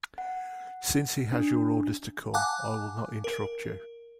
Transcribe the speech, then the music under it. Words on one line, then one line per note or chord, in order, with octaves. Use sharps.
Since he has your orders to come, I will not interrupt you.
F#5
D4
F5 F#5 G#5 A5 D6 F#6
A#4